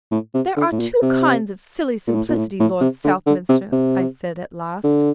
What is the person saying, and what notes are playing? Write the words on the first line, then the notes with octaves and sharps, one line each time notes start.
'There are two kinds of silly simplicity, Lord Southminster,' I said, at last.
A2
C3
D3
A2
A#2
C3
A#2
A2
A#2
A2
A2
C3
D3
D3
C3
C3
D3